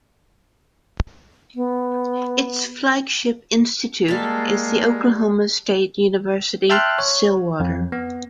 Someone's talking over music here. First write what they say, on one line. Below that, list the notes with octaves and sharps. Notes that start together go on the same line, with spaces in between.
Its flagship institute is the Oklahoma State University-Stillwater.
B3
G3 G#3 A#3 A4
E5 G5 A5 C6 F6 F#6
C#5
F2
B3